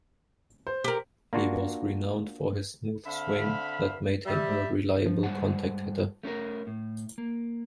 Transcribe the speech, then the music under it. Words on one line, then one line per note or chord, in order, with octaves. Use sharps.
He was renowned for his smooth swing that made him a reliable "contact" hitter.
C5
G4 A#4
A#3 D4 F4 F#4
D3 C4 E5 F5 B5
G3 E5
F3
G2 G3 G#3 C5 F#5 A5
A3 C#4 D4 A#4
A2
A#3